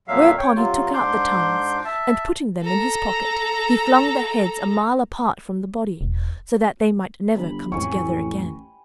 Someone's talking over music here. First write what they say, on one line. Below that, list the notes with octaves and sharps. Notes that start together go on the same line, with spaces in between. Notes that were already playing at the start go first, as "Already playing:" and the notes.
Whereupon he took out the tongues, and putting them in his pocket, he flung the heads a mile apart from the body, so that they might never come together again.
F2 A#2 F#3 E5 F5
C#5 G5
C3 F#3 F4
G#2 D4 C6 D6 G6
E5 A5
A4 A#5
E1
G1 B5
A1 F2 A2 G5 G#5 C#6